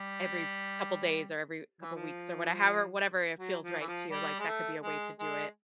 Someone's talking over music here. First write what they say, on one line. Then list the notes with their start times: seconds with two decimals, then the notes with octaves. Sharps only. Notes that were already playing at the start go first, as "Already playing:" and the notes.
every couple days or every couple weeks or whate however, whatever it feels right to you, like, that could be a way to do it
Already playing: G3
1.81 E3
1.95 F3
3.38 F#3
3.62 F3
3.80 E3
3.87 F3
4.10 G3
4.39 G#3
4.47 A3
4.83 G#3
5.19 G#3